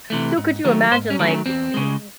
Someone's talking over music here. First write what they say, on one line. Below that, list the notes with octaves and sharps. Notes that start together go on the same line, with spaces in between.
So could you imagine, like, uh,
C3 E3 A3
G#2
D#3 F#3 A3
G#2 C5
C#4
D#3 F#3 A3
C#4
E2 C4
C#3 G#3